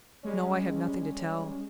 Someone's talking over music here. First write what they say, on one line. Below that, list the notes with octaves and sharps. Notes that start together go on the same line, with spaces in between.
"No, I have nothing to tell."
G3 G#3 C#4